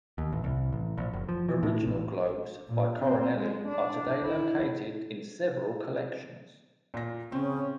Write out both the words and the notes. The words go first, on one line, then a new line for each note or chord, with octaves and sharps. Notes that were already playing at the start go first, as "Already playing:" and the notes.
Original globes by Coronelli are today located in several collections.
D#2
A1
C2
A1
A#1
F#1
F3
E3
A2
A1
A#2
C4
G#3
D4
E4
A#2 A#6
C#3 C4 C#4